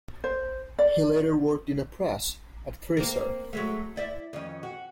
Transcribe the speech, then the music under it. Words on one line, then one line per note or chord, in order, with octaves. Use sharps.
He later worked in a press at Thrissur.
C5
D5
A#3 C4 A#4
F#3 G#3 A3
E4 D5 E5
F2 D#3 C#4
F#4